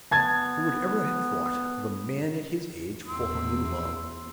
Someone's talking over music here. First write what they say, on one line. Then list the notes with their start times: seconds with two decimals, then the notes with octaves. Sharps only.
Who would ever have thought of a man at his age falling in love?
0.11 B3 A5 G#6 A6
3.08 E2 C6 E6